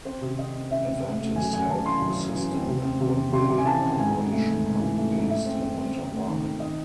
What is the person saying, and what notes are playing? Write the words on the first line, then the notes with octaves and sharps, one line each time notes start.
Adventist Health System and Bonnier Corporation are based in Winter Park.
C4 C5
C3
C4 D#5
C4
C4 E5
C4
C4
A3
F#2 G#5
F#2 G#5
F#2 A5
E3 C6
F#2
E3
E3
C4
C3
C4
C3
C4
C3 C6
C3
G#5
E3 A5
C4
G#2 G#5
G#2
A3
G#2
G#2
E3
A3
G#2
A3 E5
C4
C4
C4
C4
A3
D#3
C4
D#3 D#5